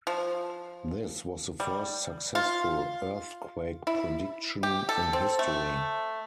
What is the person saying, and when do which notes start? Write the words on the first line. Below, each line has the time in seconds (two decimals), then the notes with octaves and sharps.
This was the first successful earthquake prediction in history.
0.07 F3
1.60 G3
2.35 F4
3.87 E4
4.63 G4
4.89 A4
5.13 C4
5.39 A3